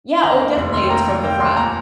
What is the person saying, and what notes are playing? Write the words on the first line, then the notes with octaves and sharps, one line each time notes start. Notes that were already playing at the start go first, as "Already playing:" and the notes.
Yeah, oh, definitely, it's from the front.
D#3 A#5
A#3
F1
D#3 C6
G5
A#3 A#5
D#3
A#3 G5
D#2 C6
A#2 A#5